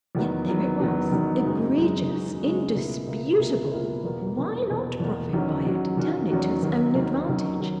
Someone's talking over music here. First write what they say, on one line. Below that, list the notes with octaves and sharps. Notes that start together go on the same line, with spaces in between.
Yet there it was, egregious, indisputable. Why not profit by it, turn it to his own advantage?
E2 D#3 F#3 B3
E2 D#3 F#3 B3
E2 D#3 F#3 B3
E2 D#3 F#3 B3
F#2 C#3 G#3 D#4 F#4
F#2 C#3 G#3 D#4 F#4
F#2 C#3 G#3 D#4 F#4
F#2 C#3 G#3 D#4 F#4
C#2 B2 A#3 E4
C#2 B2 A#3 E4
C#2 B2 A#3 E4
C#2 B2 A#3 E4
E2 B2 A#3
E2 B2 A#3
E2 B2 A#3
E2 B2 A#3
E2 D#3 F#3 C#4 F#4
E2 D#3 F#3 C#4 F#4
E2 D#3 F#3 C#4 F#4
E2 D#3 F#3 C#4 F#4
D#2 D#3 F#3 C#4
D#2 D#3 F#3 C#4
D#2 D#3 F#3 C#4
D#3 F#3 C#4